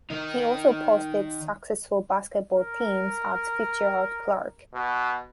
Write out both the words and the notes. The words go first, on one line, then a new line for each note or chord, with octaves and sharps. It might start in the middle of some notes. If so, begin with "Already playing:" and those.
He also posted successful basketball teams at Fitzgerald-Clarke.
D#3 D#4
A#4
B2